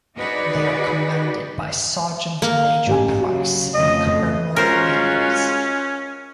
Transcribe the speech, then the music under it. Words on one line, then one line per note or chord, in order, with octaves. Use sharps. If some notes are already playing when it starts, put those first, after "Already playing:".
They are commanded by Sergeant Major Price and Colonel Themes.
D#4 F#4 G#4 B4 D5
A#3
A1 G4 G#5
C#3 F#3 F#4
F2 C#3 A3 D#5
G#3 C#4 F4 F#4 A#4 C5